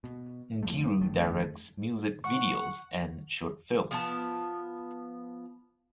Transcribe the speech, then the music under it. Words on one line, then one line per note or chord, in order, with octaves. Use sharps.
Nkiru directs music videos and short films.
B2
E2 F3 A3
G1 F#2 D#3 A3
F#5 C#6
F3 B3 A5